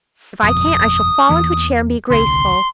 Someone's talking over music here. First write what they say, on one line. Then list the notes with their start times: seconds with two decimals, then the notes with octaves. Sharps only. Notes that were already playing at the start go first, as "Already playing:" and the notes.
If I can't, I shall fall into a chair and be graceful.
0.43 G1 F2 B2 D#6
1.29 E2 E3 A#3
2.10 D#1 C2 D3 C6